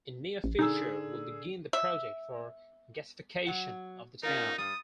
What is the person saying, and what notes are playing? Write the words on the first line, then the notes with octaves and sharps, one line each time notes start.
In near future will begin the project for gasification of the town.
A1
D3 D#4 G#4 E6
E5
F#3 F#5
C#4 D#4 F4 A#4
G2 G3 D#6